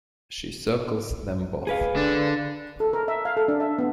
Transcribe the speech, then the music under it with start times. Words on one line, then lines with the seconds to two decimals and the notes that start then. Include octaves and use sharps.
She circles them both.
1.67 G#4 B4 F5
1.96 D3 D4
2.80 A4
2.93 A#4
3.08 E5
3.25 F5
3.37 A4
3.48 D4
3.60 E5
3.78 B3